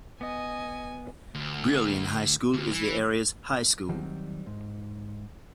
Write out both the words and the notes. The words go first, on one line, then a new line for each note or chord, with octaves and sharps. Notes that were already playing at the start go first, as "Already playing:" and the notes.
Brillion High School is the area's high school.
B3 D#5 G#5
D2
D2
E3
D#3 F#3 G3 C4
G#2